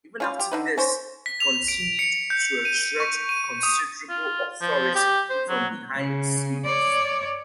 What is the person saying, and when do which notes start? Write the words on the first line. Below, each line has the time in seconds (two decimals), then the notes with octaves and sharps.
Even after this, he continued to exert considerable authority from behind the scenes.
0.20 C#4 F4 F5
0.39 G4
0.52 D3 D#4 B4
0.78 C#4 C5
1.26 B6
1.40 F7
1.68 D7
1.99 C#7
2.30 G6
2.65 D#7
3.00 C#6
3.29 D#7
3.63 D#6
4.09 F4
4.62 F3
4.95 G4
5.30 C5
5.49 F#3
5.96 C#3
6.65 C#5 D5